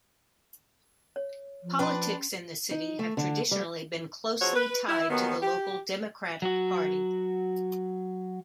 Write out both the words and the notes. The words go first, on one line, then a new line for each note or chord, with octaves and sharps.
Politics in the city have traditionally been closely tied to the local Democratic Party.
C#5
F3
C#4 D4 B4 C6
D#4
A3
D3
G3
F3 C4 D#4 F#4 G#4 C#5
B4
E4
D#2 D#3 F#3 B3
G4
F#3 F#4